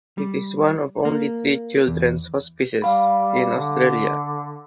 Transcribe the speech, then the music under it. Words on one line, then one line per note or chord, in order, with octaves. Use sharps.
It is one of only three children’s hospices in Australia.
G3
A#3
E2
G3 F5 B5
D3